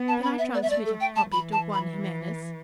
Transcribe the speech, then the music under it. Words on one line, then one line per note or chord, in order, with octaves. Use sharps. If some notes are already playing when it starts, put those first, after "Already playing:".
Can I transmit a copy to Juan Jimenez?
Already playing: B3
A5
B5
E5
D5
E5
A3 D5
A4
G5
A5
E3 B5
A5
B5